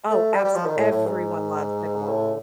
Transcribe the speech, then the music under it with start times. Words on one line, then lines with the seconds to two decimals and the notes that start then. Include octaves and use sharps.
Oh, absolu everyone loves pickleball.
0.10 A3
0.33 G3
0.44 G3
0.55 F3
0.66 D#3
0.77 A2
0.92 A2
1.06 G#2
2.09 A2